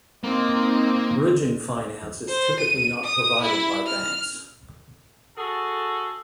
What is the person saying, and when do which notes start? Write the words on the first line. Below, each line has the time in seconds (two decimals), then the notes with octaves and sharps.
Bridging finance is typically not provided by banks.
0.23 A#3 C4 D#4
2.28 C5
2.60 D#7
3.04 D#6
3.42 E4
3.86 F6
5.37 F#4 G#4 A4